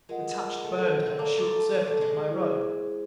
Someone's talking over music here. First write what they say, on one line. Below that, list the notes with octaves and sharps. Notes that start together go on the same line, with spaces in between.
The touch burned her, and short-circuited my robe.
G#3 F4 A#4 D#5 F#5
A3
C4
C4
A#3 A4 D5 F5 A5 D6
A3
A3
G#3
E4 G#4 C5